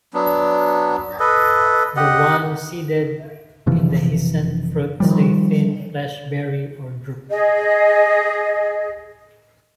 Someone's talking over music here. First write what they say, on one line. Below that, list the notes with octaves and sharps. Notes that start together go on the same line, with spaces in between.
The one-seeded, indehiscent fruit is a thin-fleshed berry or drupe.
F#3 B3 D4
A4 B4 D#5
G4 D#5 F#5
F#1 C3 E3 F3
D#3 F3 G3
G#4 D#5